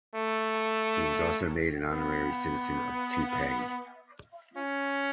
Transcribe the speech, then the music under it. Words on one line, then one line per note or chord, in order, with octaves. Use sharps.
He was also made an honorary citizen of Taipei.
A3
B3
C#4